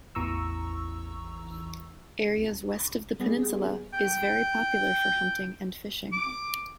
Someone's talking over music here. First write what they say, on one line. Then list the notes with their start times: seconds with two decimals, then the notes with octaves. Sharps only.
Areas west of the peninsula is very popular for hunting and fishing.
0.15 A1 E2 E3 A#5 C#6 E6
2.37 C#2
3.20 G3 B3 G#4
3.94 G5
6.13 D6